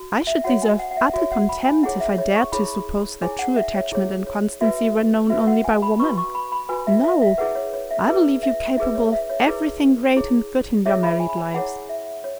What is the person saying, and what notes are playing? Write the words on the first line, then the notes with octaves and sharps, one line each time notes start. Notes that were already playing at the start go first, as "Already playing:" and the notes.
I should deserve utter contempt if I dared to suppose that true attachment and constancy were known only by woman. No, I believe you capable of everything great and good in your married lives.
Already playing: F#4
E5
F#4 C#5 F#5
G#5
F#5
F#5
E5
F#4 C#5 E5
F#5
B5
G#5
E4 G#4 C#5 F#5
E5
C#5
C#6
E4 G#4 C#5 B5
E4 G#4 C#5 G#5
F#5
E5
C#5
E4 G#4 C#5
C#5
F#4 B4 E5
F#4 B4 E5
F#5
G#5
B5
F#4 B4 C#6
C#6
B5
B5
F#4 B4 G#5
E5
E5
E5
E4 G#4 B4 F#5
C#5
C#5
E5
E4 G#4 B4
E5
E4 G#4 B4 E5
C#5
E5
C#5
E4 G#4 B4
E4 G#4 C#5
E4 G#4 C#5 E5
B5
G#5
B5
G#5
E4 G#4 C#5 F#5
E5
C#5